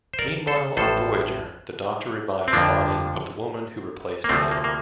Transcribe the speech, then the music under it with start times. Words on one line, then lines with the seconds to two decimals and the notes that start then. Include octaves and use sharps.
Meanwhile on "Voyager", the Doctor revives the body of the woman who replaced Kim.
0.13 C5
0.19 A#4 D5
0.47 A4 C5
0.77 A1 A2 F3 A4 C5
2.48 C4
2.53 F2 D3 F3 A#3 D4
4.24 A#3
4.29 D2 C3 F3 A3 C4
4.51 A#3
4.64 A#3